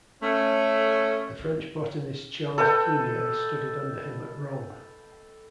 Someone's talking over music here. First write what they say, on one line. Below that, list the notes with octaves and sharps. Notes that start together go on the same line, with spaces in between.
The French botanist Charles Plumier studied under him at Rome.
A3 C#4
A4 B4 D#5 G5